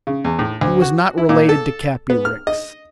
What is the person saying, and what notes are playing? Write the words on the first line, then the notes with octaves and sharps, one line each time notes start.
He was not related to Cappy Ricks.
C#3
E2
A2
D2
F#4
E4
A#2
A4
B3
F6
D#5